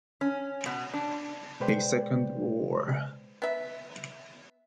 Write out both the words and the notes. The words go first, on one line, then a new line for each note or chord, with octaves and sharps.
A second roar.
C#4
B2
D4
B2 G#3 B4 C5 D5 G5
B3 E5